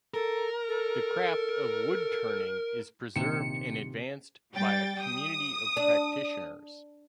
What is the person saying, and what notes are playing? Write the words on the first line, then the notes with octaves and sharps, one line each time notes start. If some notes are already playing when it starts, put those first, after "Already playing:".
The craft of woodturning is preserved and advanced by a community of practitioners.
A4 A#4
A4
A#1 C3 D#3 C#7 E7
G3 G5 A6
D#6
D4